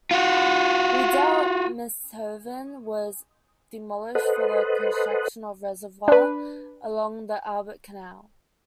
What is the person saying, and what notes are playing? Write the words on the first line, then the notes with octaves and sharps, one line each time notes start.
Redoubt Massenhoven was demolished for the construction of a reservoir along the Albert canal.
F4 F#4
A4 B4 C5 D#5 F#5
D4 B4